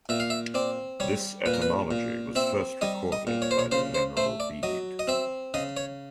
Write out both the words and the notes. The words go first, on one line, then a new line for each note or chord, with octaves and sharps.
This etymology was first recorded by the Venerable Bede.
A#2 E5
F5
E5
C4 D5
G3 C#5
A#2 B4
A#4
B4
A#2
C4 E5
G3 D#5
D#5
A#2
C#5
C5
C#5
C#3 C5
C5
A3 C5
D5
F#3 D#5
D#5
C4 E5
C#3 D#5
C#5